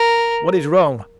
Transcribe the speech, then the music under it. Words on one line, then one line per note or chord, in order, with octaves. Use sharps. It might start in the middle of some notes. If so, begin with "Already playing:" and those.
What is wrong?
Already playing: A#4